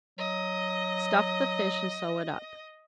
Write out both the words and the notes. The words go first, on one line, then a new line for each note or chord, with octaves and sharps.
Stuff the fish and sew it up.
F#3 D#5